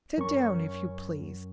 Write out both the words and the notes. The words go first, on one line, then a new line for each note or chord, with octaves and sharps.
Sit down, if you please.
F#2 C#4 A#4 C#6